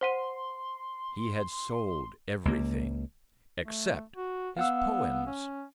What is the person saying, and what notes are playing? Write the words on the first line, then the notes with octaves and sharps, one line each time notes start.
He had sold everything--except his poems.
C5 F#5 C6 D#7
C#2 A#3
A3
F#4
B3 F5 F#5 E6
C#4